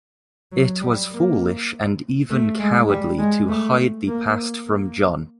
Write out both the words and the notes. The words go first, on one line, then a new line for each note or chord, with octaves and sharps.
It was foolish and even cowardly to hide the past from Jon.
F#3
G3
A#3
A3
G#3
G3
G#3
A3
A#3
A#3